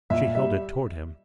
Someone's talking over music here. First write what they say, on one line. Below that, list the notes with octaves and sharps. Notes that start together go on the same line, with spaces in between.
She held it toward him.
A#2 E5
G3 E5